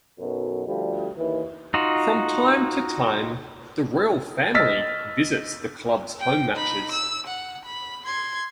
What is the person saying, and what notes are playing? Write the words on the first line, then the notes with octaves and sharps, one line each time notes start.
From time to time the royal family visits the clubs home matches.
B1 F#2 B2
D2 F3 G3
D#2 E3
D#4 F4 F#4
D#5 E6 F6 A6 B6
G5
D#4 B5
E6
F#5
B5
C6 G#6